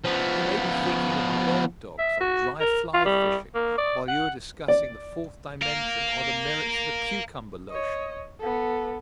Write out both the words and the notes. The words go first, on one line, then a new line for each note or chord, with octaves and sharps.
He may be thinking of bird dogs or dry fly fishing while you are discussing the fourth dimension, or the merits of a cucumber lotion.
F3 B3
E5
F#4
A#4
F4
G3
A#3
D5
F#5
D5
A#4 F5
C#5 D#5
B3 A4